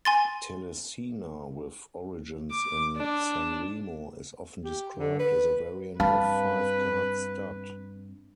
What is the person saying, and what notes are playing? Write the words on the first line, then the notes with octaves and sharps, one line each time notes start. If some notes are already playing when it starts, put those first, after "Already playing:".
Telesina, with origins in Sanremo, is often described as a variant of five-card stud.
G#5 C6 A6
D6
D4
G4
D3
B4
G2 C4 B4 F5 A5 B5